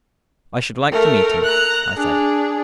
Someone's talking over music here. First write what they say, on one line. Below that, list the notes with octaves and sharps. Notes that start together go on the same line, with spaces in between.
"I should like to meet him," I said.
A3 A#4
A#5 F#6
D4 G#4